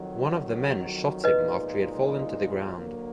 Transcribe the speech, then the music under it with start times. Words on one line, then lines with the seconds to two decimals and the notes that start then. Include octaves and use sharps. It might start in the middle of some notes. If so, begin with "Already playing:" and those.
One of the men shot him after he had fallen to the ground.
Already playing: F2 D#3 F#3
1.24 B1 A#2 F3 G#3 D#4 B4 D#5
2.74 D3 F#3 A#3